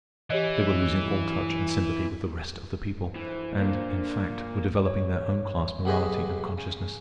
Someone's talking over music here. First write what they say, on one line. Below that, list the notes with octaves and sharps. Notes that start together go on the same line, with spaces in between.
They were losing all touch and sympathy with the rest of the people, and, in fact, were developing their own class morality and consciousness.
E3 G4 C#5 D#5
D2 E3 C5
A#2 A#3 D4
C#5
B1 B2 G4 G#4 B4 D#5
C#3